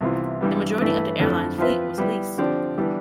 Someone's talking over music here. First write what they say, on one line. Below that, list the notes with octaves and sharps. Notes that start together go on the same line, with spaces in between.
The majority of the airline's fleet was leased.
C2 C3 E3 B3 F4
G2 E3 G3 B3
G2 E3 A3 E4 B4
F2 D3 A3 E4 A4
F3 C4 F4 B4 E5
G3 B3 E4
D3 F3 C4 G4 D5
E3 G3 B3 D4